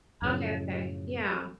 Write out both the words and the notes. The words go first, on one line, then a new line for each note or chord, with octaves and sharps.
Okay, okay, yeah.
F#2 A2 C#3 F3